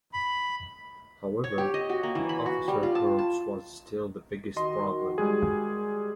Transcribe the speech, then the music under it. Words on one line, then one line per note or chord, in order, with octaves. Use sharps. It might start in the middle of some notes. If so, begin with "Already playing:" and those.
However, the officer corps was still the biggest problem.
B5
C#5
G4
D#5
F#4
A#3
E3
B5
F#4
G3
F4
A5
A5
D#3 F#4 D#5 C6
G3 G#3 G#4